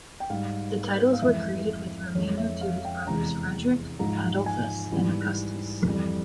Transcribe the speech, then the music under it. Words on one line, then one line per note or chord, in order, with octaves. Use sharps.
The titles were created with remainder to his brothers Frederick, Adolphus and Augustus.
G5
G#2 G3 F5
F5
F2 E3 G#3 E5
F2 E3 G#3 C#5
E5
F5
G5
E2 C3 E3 G#3 A#5
G#2 F3 G#3 A#5
G#5
G#2 E3 G3
F2 E3 G3